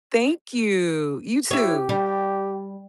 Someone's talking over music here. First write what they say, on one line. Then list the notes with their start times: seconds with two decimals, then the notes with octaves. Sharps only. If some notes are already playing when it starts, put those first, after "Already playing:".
Thank you! You too.
1.51 E4 G4 C#5
1.89 G3